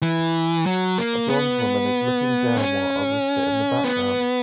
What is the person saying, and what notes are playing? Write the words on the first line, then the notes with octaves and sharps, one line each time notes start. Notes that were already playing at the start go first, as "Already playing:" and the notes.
A blond woman is looking down while others sit in the background.
E3
F#3
A#3
B3
C#4
B3